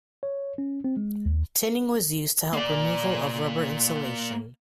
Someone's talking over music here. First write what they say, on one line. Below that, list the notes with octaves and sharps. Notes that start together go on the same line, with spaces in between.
Tinning was used to help removal of rubber insulation.
C#5
C#4
C4
G#3
D#2
A#3 D5